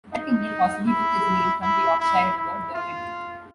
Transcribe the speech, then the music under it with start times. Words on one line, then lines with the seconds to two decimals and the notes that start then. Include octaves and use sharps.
That kingdom possibly took its name from the Yorkshire River Derwent.
0.13 D#4
0.87 E4
1.61 E4
1.99 E4
2.37 E4
2.74 F4